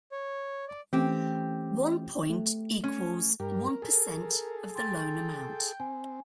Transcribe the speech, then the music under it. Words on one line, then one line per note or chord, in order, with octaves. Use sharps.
One point equals one percent of the loan amount.
C#5
D5
E3 A3 C4 C#4 G4
A3
C#4
G2 G4 A#4
G#4 A4
G5 C6 A6
C4 G#5